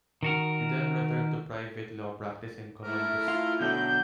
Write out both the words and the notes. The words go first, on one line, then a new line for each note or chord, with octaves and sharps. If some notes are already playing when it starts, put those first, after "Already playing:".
He then returned to private law practice in Columbus.
D#3 F#4 A#4
A3 E4 A#4
F4
B2 D3 F#3 G5 G6